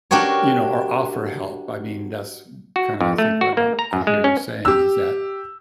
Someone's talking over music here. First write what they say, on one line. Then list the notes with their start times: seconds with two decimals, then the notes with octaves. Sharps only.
you know, or offer help. I mean, that's w kinda I think, what I I hear you saying, is that,
0.11 D4 F#4 G4 A#4 C#5
2.76 F#4
3.01 F2
3.18 A3
3.41 F#4
3.57 A#3
3.79 A#5
3.93 F#2
4.07 G#3
4.24 C#4
4.65 G4 E6